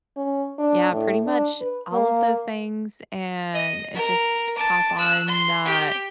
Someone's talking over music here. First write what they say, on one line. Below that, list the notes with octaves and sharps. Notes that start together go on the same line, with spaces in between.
Yeah, pretty much all of those things, and it just pop on, uh,
C#4
D4
A2
D4
B4
A#3
D#5
A#4
A5 D6
E6 F#6
C6
G4